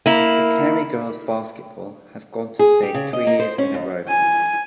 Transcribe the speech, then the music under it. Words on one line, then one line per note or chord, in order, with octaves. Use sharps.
The Carey girls basketball have gone to state three years in a row.
A#3 E4
G#4
G4
C#3
D#5
A#3
C5
C#4
D#2
G#5